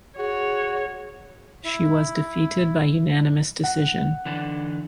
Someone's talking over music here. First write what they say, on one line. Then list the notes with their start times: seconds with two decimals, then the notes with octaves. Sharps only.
She was defeated by unanimous decision.
0.18 F#4 G#4 C#5
1.64 E4
3.64 F#5
4.25 D3 E3 D4